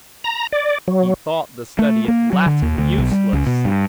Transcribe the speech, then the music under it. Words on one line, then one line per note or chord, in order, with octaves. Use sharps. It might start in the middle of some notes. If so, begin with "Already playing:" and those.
He thought the study of Latin useless.
A#5
D5
F#3
A3
A#3
F#3
D3
D#2
D2
B1
G3
C#2
B2
G2